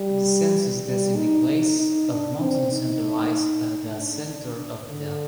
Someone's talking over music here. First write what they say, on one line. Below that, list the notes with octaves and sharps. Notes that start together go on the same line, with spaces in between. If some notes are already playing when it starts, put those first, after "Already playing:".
The census-designated place of Monson Center lies at the center of the town.
Already playing: G3
G3
D#4
D#4
D#4
D4
C4
D#4
D4
D3